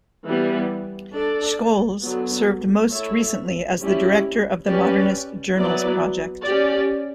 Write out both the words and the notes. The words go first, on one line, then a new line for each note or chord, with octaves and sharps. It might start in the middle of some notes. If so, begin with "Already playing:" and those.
Scholes served most recently as the director of the Modernist Journals Project.
E3 G3 B3
D4 A4 D5
D3 F#3 B3
A3 E4 A4 C#5 E5
G3 C#4 E4 G4 C#5
C#4 G4 B4 D5
F#3 B3 E4 B4 D5
C#4 G4 D5